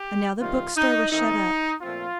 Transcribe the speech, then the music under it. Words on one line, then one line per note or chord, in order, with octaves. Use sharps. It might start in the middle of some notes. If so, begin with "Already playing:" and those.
And now the bookstore was shut up.
Already playing: G4
C3 D#3 G3 F4
D#4
D#3 A3 C4 D#4
A#2 F3 A3 C4 F4